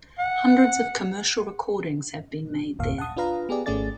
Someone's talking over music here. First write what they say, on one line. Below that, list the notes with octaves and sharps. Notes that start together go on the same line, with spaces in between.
Hundreds of commercial recordings have been made there.
F#5
G1 D#2 A#2 F5
F#5 A5 D#6
D4 F4 B4 F5 A#5
B3 G4 G#4 D5
G#1 A3 C#4 G#4 D5 A6